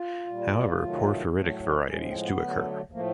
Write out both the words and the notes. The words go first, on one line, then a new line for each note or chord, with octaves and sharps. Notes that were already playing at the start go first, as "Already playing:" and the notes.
However, porphyritic varieties do occur.
Already playing: F4
A#2 G3
C3 D#3 F#3 A3
A2 F#3 A3
A2 F3 G#3 C#4
C4
B3
D3 F#3 A3
A2 F3 A3 A#3